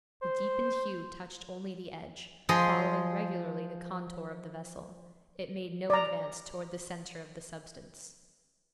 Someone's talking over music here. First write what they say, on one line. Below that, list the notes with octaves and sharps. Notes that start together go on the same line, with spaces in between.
The deepened hue touched only the edge, following regularly the contour of the vessel; it made no advance toward the centre of the substance.
C5
F3 G#4 D#5 C6
D5 A#5